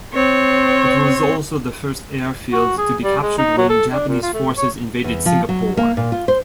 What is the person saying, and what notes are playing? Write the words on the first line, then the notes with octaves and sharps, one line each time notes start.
It was also the first airfield to be captured when Japanese forces invaded Singapore.
C4 C#5
F#4
G#4
G3
G#3
D#4
F#3
A4
D4
A#2
F4
A3
C#5
E2
F3
F#3
A#3
A#2
F4
C5